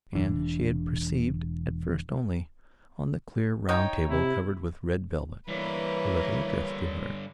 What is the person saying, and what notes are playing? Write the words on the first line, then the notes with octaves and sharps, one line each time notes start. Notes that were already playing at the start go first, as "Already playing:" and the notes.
And she had perceived at first only, on the clear, round table covered with red velvet, a letter addressed to her.
E1 E3 D4
D#4 C#5 D#5 G5
C3 E4
G2 D3 E3 A#3 B4 C#5